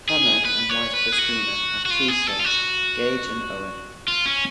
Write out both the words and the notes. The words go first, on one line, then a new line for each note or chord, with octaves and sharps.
Hannan and wife Kristina have two sons - Gage and Owen.
G#4
B4
C#5
B4
G#4
F#4
F#4
F4
G#4
A4
F4
F#4
F4
C#4